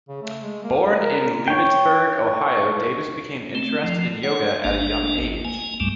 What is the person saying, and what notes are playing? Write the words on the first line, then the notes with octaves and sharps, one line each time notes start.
Born in Leavittsburg, Ohio, Davis became interested in yoga at a young age.
C#3
A3
G#3
A#3
A#4
C#5 G5
A3 C4
F3
C#5 F#5
G#1 A#3 D4
A#3 G#5
C#2 G2 G3 A3 A#3